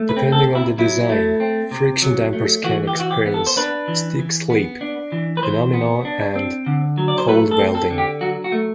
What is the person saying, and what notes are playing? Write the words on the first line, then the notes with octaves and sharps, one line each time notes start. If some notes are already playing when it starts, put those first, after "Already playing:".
Depending on the design, friction dampers can experience stick-slip phenomenon and Cold welding.
Already playing: A3
B4
C4
A4
C3
E4
F#3 E4
A3
C4
C3
F#3
A3
E3 F#4
G4
E3 F#4
G4
B3
A4
C5
D4 B4
E3
E3
B3
D4
E3
B4
E3 C5
B3
D4
C4
D3
F#3
D5
C5
A3 B4
A4
C4
A4
D3
G4
F#3 F#4
F#4
A3